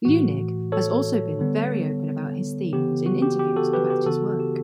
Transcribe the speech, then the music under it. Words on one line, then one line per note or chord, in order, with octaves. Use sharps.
Leunig has also been very open about his themes in interviews about his work.
A2 E3 A3 F#4
A4 C#5
D3 G3 B3
C#3 E3 B3 G4
F#4
G4
G4
F#4 A4
G4 B4
G4
C#3 E3 B3 F#4 A4
A4
G4